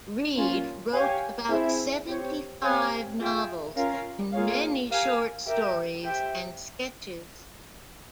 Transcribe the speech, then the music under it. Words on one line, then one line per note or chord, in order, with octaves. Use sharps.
Reid wrote about seventy-five novels, and many short stories and sketches.
A#3 C#4 F4
G4 C#5 F5 G#5
C4 E4 G#4 C5 E5
C4 G4 C#5
C4 G4 C#5 F5 G#5
F4 G#4 E5 G5
C#4 F4 A#4 F5
A#3 F4 G#4 C#5 F5
G4 A#4 F5 G#5
G4 A#4 E5 G5
G4 C5 E5 G5